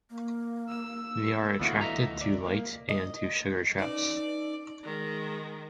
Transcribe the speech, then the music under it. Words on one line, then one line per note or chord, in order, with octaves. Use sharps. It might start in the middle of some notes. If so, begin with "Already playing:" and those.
They are attracted to light and to sugar traps.
A#3
E6
D2 E3 A3 B3 F4 F#4
D#5 E5 A#5
D5
A#3
D#5
C#4 D#4 B4 D5
D#4
D#3 G#3